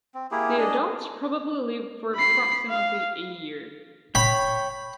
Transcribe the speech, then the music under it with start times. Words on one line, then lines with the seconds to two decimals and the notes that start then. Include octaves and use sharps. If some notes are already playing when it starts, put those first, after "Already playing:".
The adults probably live for approximately a year.
0.15 C4
0.31 A#3 E4 G4 G#4
0.57 D4 G#4 D#5
2.15 B5 C7
2.69 F5
4.15 C#5 G5 B5